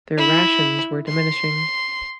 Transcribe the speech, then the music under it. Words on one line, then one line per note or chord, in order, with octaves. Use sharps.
Their rations were diminishing.
E4
C6